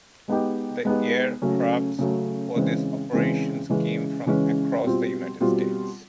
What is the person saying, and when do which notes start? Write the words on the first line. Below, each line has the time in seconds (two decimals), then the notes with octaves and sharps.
The air crafts for these operations came from across the United States.
0.28 G#3 B3 D#4 G4
0.85 G#3 B3 D#4 G4
1.42 C#3 F#3 A3 C#4
1.99 C#3 F#3 A3 C#4
2.56 C#3 E3 G#3 C4
3.12 C#3 E3 G#3 C4
3.69 C#3 E3 G#3 C#4
4.26 C#3 E3 G#3 C#4
4.84 B2 G3 C4 F4
5.40 B2 G3 C4 F4